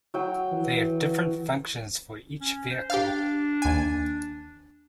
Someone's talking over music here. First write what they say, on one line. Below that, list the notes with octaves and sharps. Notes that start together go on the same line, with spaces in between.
They have different functions for each vehicle.
F#3 G5
E3
C#4
C5
D4 G4 F5
D#2 G#5